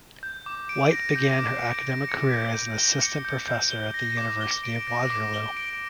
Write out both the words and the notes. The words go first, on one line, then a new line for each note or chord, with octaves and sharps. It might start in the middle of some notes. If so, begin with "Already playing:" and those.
White began her academic career as an assistant professor at the University of Waterloo.
G6
D6
D7
A#6
G6
D6
D7
A#6
C#7
G6
G6
G7
C#7
G6
G6
G7
A#6
D6
G7
D7
A#6
D6
G7
D7